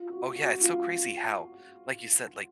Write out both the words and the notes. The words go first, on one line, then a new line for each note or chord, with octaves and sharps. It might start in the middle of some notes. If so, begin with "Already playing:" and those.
Oh, yeah it's so crazy how, like you said, like
Already playing: F4
F#4
F#4
F4